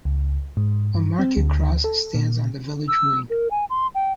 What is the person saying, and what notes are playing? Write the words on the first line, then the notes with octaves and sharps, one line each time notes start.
A market cross stands on the village green.
C#2
G#2
G2
C4
D2
A4
A#2
E6
A#4
G#5
C6
G5